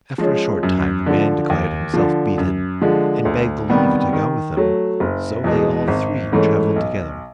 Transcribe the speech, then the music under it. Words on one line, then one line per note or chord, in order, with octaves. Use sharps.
After a short time the man declared himself beaten, and begged leave to go with them; so they all three travelled together.
F3 G#3 C#4
F#2
D3 F3
D#2
D3 F3
F#2
D3 F3 G#3
D2
C3 D#3 G3 B3
D#3
F#3 A3
F#1
E2 B2 G#3
G#1
G#2 E3 A3 C#4
B1